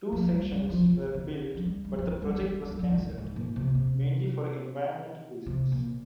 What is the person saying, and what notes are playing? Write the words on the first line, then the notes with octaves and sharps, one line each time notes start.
Two sections were built but the project was cancelled, mainly for environmental reasons.
F3
G3
G3
F3
D#3
D3
F3
G3
G3
G3
G#3
G3
F3
G3
G3
G3
F3
G2
G#2
G#2
A#2
C3
C3
C3
A#2